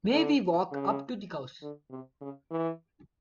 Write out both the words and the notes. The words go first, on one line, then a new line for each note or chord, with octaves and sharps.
May we walk up to the House?
D3
C#3
D3
C3
C#3
E3